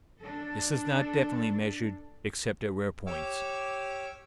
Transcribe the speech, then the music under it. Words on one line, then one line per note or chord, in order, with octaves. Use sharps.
This is not definitely measured except at rare points.
D4 A4
G4 C#5 D6 E6 F6